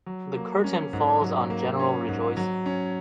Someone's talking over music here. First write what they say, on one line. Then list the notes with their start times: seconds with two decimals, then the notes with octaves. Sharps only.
The curtain falls on general rejoicing.
0.06 F#3
0.36 A#3
0.64 C#4
0.93 G#2
1.21 F#3
1.50 A#3
1.80 C#4
2.09 G#2
2.37 F#3
2.66 C#4